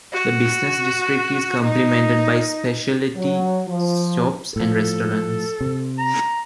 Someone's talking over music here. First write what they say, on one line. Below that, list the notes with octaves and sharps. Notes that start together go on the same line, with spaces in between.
The business district is complemented by specialty shops and restaurants.
F#4
D#4
F#3
F3
A2 F3 A4
C3
A#5